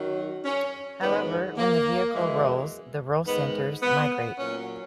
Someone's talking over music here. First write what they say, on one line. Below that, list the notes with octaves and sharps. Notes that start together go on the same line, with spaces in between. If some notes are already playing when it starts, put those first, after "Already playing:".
However, when the vehicle rolls the roll centers migrate.
Already playing: F#2 D#3 F#3
C#4
G#2 D#3 F#3 B3
A#3
F#2 E3 G#3
G#2 D#3 G#3 B3
B3
A#2 F#3 C#4